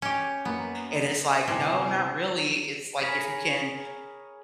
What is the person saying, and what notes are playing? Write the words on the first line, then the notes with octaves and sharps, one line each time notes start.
and it's like, "No, not really," it's like, if you can
C#4 G4
F#2 A#3 B3
G1 C3 E3 G#5
G#4 A#4 C#5 B5